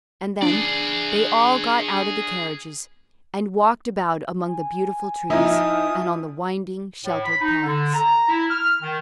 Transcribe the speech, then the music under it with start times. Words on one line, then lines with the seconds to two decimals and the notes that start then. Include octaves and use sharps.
And then they all got out of the carriages, and walked about among the beautiful trees, and on the winding, sheltered paths.
0.42 D4 G#4 D5
4.48 G#5
5.30 F3 D#4 E4 D#6
7.05 A2
7.24 B5
7.41 D#4
7.63 D3
7.93 A#5
8.28 E4
8.49 F6
8.81 D#3